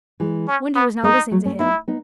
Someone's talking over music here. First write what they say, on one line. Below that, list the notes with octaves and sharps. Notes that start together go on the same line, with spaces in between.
Wendy was not listening to him.
E3 G#3
C#4
B3
G#3 B3 D#4
F#3 A3
A3 C#4
B3 D#4 E4
B3 D#4